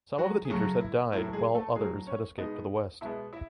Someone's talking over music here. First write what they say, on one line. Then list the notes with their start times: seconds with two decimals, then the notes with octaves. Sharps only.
Some of the teachers had died while others had escaped to the west.
0.18 F#3 F#4
0.45 G#4
0.50 F#2 C#3 F#3 A3 F#4
0.81 E4
1.13 A2 F#3 A3 E4
1.33 G#3 G#4
1.55 A3 A4
1.76 A2 F#3 G#3 A3 G#4
2.07 C#4 C#5
2.38 B2 G#3 B3 D#4 D#5
3.01 B2 G#3 B3 E4 E5
3.33 E4 E5